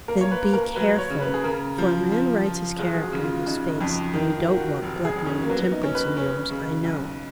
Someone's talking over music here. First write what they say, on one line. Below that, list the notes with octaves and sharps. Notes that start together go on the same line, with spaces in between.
'Then be careful; for a man writes his character in his face; and you don't want gluttony and intemperance in yours, I know.'
A#3 A#4
C#5
B4
A#3
A#4
F#3 B4
C#5
C#3
B4
G#4
C#3 A#4
F3
F3
F3
F#1 G#4
G#4
F#4
C#3
F4
C#3 D#4
D#4
F2
D#3 D#4
F4
D#3
F#4
F1
G#4
F1
C#4
A#3
F#3 B3
D#4
C#4
B4
C#4 B4
C#3
B1